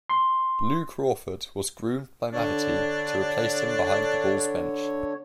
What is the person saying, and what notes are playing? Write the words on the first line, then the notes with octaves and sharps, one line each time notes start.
Lou Crawford was groomed by Mavety to replace him behind the Bulls' bench.
C6
D3 D4 C#5